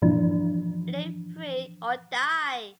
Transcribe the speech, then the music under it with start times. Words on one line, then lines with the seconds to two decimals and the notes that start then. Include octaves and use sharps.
Live free or die!
0.02 G2 A#2 E3 F3 D4